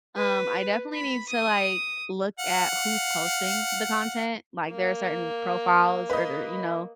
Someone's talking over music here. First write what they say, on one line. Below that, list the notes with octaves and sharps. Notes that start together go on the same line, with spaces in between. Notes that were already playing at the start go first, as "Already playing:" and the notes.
um, I definitely need to, like, look at who's posting the content, like, there are certain profiles or, there you know
B4
B5
D#6
F5 F#5
A#3
B4 D#5